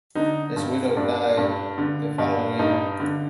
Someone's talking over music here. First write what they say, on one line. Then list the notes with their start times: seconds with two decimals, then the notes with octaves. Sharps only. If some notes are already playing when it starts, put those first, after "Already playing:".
His widow died the following year.
0.15 D3 D#4
0.56 G2
0.97 G2 D4
1.38 G2
1.78 D3
2.18 G2
2.59 G2 D#4
3.00 D3